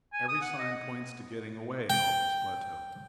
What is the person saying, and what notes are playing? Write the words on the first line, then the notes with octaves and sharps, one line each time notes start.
Every sign points to getting away off this plateau.
G#5
D#6
F#5
D#5
G5